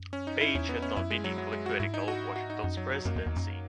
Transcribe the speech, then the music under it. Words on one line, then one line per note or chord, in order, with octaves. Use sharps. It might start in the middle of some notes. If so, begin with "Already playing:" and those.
Bache had not been equally critical of Washington's presidency.
Already playing: F#2
C#4
D#4
E4
E2 C#4
B3
C#4
F#2 E4
G#3
F#3
F#3
G#3
F#4
G#2 E4
D#4
F#4
F#4
D#4
F#2 D#4
F#3
F#3
F#2 A#3
E2
E2
F#2